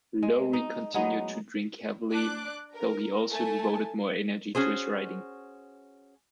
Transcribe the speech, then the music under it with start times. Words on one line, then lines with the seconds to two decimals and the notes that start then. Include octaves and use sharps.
Lowry continued to drink heavily though he also devoted more energy to his writing.
0.23 G#3
0.53 D#4
0.94 F#3 G#3 B3 D#4
2.12 D4 D6 F#6
2.74 A#4
3.30 A3 A4 G#5 A5
4.55 C#4 F#4 G#4 C5